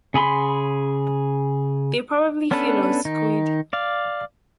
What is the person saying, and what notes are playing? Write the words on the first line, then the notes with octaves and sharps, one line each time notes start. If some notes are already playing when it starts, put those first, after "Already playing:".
They probably feed on squid.
C#3 G#4 B5 C6
B3 C#4 D4 A4 B4
D#3 D#4
D5 F5